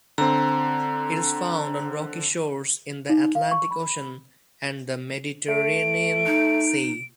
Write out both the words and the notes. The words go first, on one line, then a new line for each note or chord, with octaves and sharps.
It is found on rocky shores in the Atlantic Ocean and the Mediterranean Sea.
D3 C4 A#5
D#4
F5
C#6
B5
A3 D7
D#4